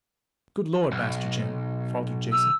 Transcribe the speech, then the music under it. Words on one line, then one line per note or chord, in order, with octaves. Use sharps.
"Good Lord, Master Jim!" faltered Jason.
B1
E6